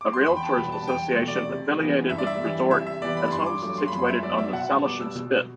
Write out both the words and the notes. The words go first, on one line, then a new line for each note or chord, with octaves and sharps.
A realtor's association affiliated with the resort has homes situated on the Salishan Spit.
D6
C6
E2 B5
G5
A5
B2 G3 B3 B5
A5
E2 G5
B2 A3
D5
C3
E3 B3
G2 E5
D5
E5
E3 G3
C3 E5
E5
E3 G3 B3 D5
B5
G2 C6
D6
F#3 A3 D6
C6
B5
F#2 C6
E5
F#3 B3 D5
E5
E5
B2 F#5
A5
G3 B3 D6
E6
B2